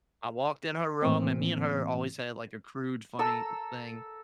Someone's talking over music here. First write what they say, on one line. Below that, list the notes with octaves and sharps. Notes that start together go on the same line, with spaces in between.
I walked in her room and me and her always had, like, a crude, funny thing
A2 E3 A#3 C4
A4 A#5 E6